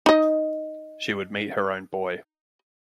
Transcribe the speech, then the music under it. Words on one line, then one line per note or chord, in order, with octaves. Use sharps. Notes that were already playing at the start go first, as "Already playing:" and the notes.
She would meet her own boy.
D#4 D#5